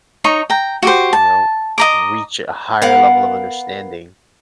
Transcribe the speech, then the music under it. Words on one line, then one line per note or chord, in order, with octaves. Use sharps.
you know, reach a higher level of understanding
D#4 C#5 A#5 C#6
G5 A#5
F#4 G4 C5
A5
D#5 A#5 D6
B3 A#4 F5 F#5